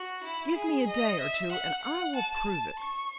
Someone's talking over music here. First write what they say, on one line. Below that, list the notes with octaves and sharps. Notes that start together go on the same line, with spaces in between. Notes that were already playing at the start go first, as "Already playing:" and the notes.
Give me a day or two and I will prove it.
Already playing: F#4
E4
G#4
D#5
E5
F#5
F#5
A5
A5
C#6